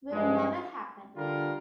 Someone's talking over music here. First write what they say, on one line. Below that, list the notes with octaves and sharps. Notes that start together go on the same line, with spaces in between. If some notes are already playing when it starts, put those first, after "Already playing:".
Will never happen.
G2 F3 G#3
D3 G3 D4 F4 A#4